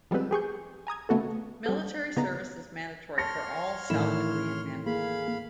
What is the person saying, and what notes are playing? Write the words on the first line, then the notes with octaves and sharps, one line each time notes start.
Military service is mandatory for all South Korean men.
F3 G3 G#3 B3 C4 B4
G4 G#4 C#6 G6
G#5 A#5 D#6 G#6
C#3 A3 B3 F#4 A4
G3 A4
C#3 B3 D#4 A#5 A6
C#5 A5 C6 F6 A#6 C#7
A2 D#3 E3 E4 E7
A#3 G#4 F5 B5